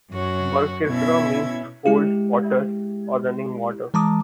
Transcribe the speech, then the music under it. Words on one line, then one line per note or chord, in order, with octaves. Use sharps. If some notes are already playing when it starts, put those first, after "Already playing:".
"Birkirkara" means "cold water" or "running water".
F#2 F#4 C#5
B2 C#4 E4 E5 G#6
G#3 E4 G4
E3 G#3 A5 A#5 D6 D#6